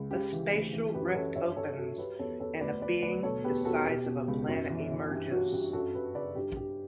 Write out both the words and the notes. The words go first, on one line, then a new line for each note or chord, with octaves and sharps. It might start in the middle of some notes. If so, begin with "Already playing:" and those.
A spatial rift opens, and a being the size of a planet emerges.
Already playing: C#2
C#3 G4
E3
D2
E3
F#2 G4 B4
F#2 A4 C#5
G2 C#5 E5
G2 A4 C#5
F#3 F#4 A4
F#3 G4 B4
E2 A4 C#5
E2 A4 C#5
D2 B4 D5
D2 B4 D5
D2 B4 D5
B2 A4 C#5
E2 G4 B4
E2 F#4 A4
B2 G4
B2
C#2
F#2
E3
E3
G2 G4
F#3 F#4
G2 G4
F#2 F#4 A4
F#2 G4 B4
C#3 B4 D5
G2 G4
G2 G4